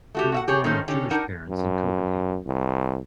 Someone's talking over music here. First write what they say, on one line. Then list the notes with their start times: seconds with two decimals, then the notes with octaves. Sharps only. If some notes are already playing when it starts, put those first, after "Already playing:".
He was born of Jewish parents in Copenhagen.
0.15 A3 F#4 G4
0.32 F#4 E5 F#5
0.48 G4 G#4 C#5
0.64 D#3 G#3 A3 C4 C#4 D#4
0.88 D3 C#4 D#4 G4
1.11 D4 D#4 A#4 F#5
1.49 F#2
2.46 C2